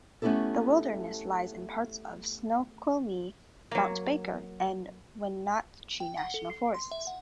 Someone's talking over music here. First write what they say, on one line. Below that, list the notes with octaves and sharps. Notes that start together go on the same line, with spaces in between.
The wilderness lies in parts of Snoqualmie, Mount Baker, and Wenatchee national forests.
A3 B3 C#4 E4 G4 A4
F#3 A#3
G5
F#5
A4
C7
C6
E5
F#5